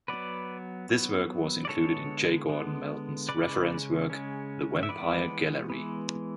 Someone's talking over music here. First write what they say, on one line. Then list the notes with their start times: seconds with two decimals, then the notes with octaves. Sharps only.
This work was included in J. Gordon Melton's reference work, "The Vampire Gallery".
0.08 F#3 B3 B4 D5
0.89 F#3 B3
1.65 D5
1.69 D3 G#3 B3 A4 C#5
2.49 D3 G#3 B3
3.29 C#3 G#3 C#4 B4 D5
4.10 C#3 G#3 C#4
4.83 E5
4.89 E3 G#3 B3 B4 D5
5.70 E3 G#3 B3